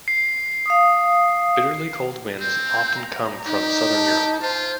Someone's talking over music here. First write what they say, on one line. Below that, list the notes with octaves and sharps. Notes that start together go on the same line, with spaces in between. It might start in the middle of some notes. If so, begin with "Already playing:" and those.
Bitterly cold winds often come from Southern Europe.
C7
F5 D#6
C4 G6
A#5
D#4 G4
A5
F4 C5